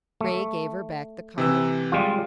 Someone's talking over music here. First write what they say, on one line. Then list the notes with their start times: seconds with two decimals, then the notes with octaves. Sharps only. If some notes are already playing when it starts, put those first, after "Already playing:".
Ray gave her back the card.
0.21 A3
1.38 C3 E3 E6
1.92 G3 G#3 F4